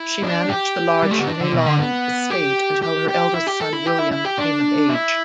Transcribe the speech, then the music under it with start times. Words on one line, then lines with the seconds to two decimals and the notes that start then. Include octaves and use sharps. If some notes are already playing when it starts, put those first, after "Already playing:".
She managed the large Neylon estate until her eldest son William came of age.
Already playing: E4
0.24 D4
0.49 G4
1.03 G3
1.11 A3
1.19 B3
1.27 D4
1.40 D3
1.53 B2
1.66 D3
1.79 B3
2.31 G4
2.82 G4
3.08 G4
3.34 E4
3.47 G4
3.60 A4
3.73 E4
3.86 G4
3.99 E4
4.12 E4
4.25 G4
4.38 D4
4.89 E4